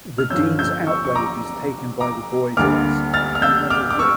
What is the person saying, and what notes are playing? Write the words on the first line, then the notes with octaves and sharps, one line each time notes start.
The dean's outrage is taken by the boys as "another rib".
F6
G2 D3 F3 C#4 E6 G6
E6 G6
C#6 E6
C#6
A#5 D6
A#5 D6
D2 D3 G3 A#3 D6 F6
F6 A6
F6
E6 G6
D6 F6
D6
C#6 E6